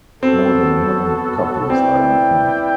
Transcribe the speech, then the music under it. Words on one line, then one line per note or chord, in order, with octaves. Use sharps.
More than a million copies are in print.
B3 C4 F#4 A4
C4 E4 B4 D5 G5